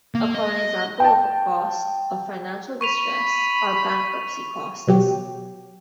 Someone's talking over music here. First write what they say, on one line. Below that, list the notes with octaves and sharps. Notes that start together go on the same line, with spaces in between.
A common example of a cost of financial distress are bankruptcy costs.
A#3
D#5
G5 A5
B5 C#6 D#7 F7
B2 F#3 G4